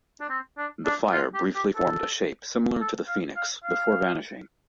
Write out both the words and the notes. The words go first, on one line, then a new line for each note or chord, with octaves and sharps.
The fire briefly formed a shape similar to the Phoenix before vanishing.
D4
C4
D4
D4
F4
G4
G4
A4
A4
F5
F5
F5